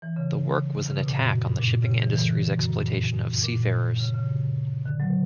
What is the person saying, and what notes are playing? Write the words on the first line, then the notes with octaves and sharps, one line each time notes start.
The work was an attack on the shipping industry's exploitation of seafarers.
E3
C#3
C#3
B2
A#2
F#2
G2
A#2
C#3
E3
E3
D3
F#2
A#2
G2
A#2
C#3
C#3
D3
F#3